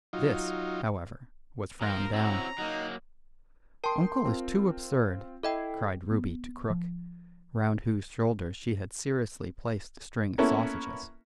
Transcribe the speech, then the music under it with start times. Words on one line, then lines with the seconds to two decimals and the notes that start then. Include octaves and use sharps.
This, however, was frowned down. "Uncle is too absurd," cried Ruby to Crook, round whose shoulders she had seriously placed a string of sausages.
0.13 F#3 D#4 F4
1.81 F3 F4 A#4 C5 A#5
2.13 C4 C#4 E4 F#4 A#5
2.58 F#3 A#3 D#4
3.84 A#4 G5 A5 C6
4.25 C4 F4
5.43 E4 A4 D#5 E5 G5
6.11 B3
6.70 F3
10.38 A#3 B3 C#4 E4 A4